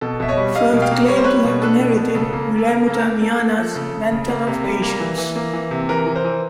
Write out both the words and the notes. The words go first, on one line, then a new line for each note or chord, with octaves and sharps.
Firth claimed to have inherited Wiremu Tamihana's "mantle of patience".
B2 A4
B2 E5
C#5 D#5
G3
G3 D#5 F5
B2
F5 G5
A#3
G3 C#5
C5
G3 B4 C#5
B2
D4 A4 B4
B2
B2
C#3 A4
A#3
A#3
A4
C#3 A#4
A#3 A4
A#4
A#3
A#3 A4
A#3
A4
F3
C#3 A4
C#3
C#3
A#3
C3
G3
A#3
E3
E3
A#3
E3
C3
E3 A#4
E3
A#4 C5
E3